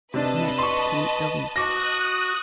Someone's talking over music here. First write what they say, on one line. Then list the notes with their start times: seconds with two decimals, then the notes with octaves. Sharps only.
Next came illness.
0.14 C3 D4 B4 D#5 A5
0.58 C6 C#6
1.56 F#4 D6 D#6 F#6 A#6